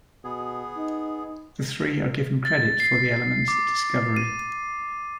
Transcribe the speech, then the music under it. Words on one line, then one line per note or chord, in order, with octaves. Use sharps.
The three are given credit for the element's discovery.
B2 B3 G#4
D#4
A6
C7
D6
D#7